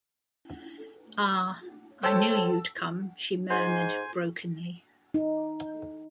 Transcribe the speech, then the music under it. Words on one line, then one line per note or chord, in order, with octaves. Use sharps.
"Ah, I knew you'd come," she murmured brokenly.
A4 C5 C#5 G5 A5 E6
G#2 C5 G#5
D#4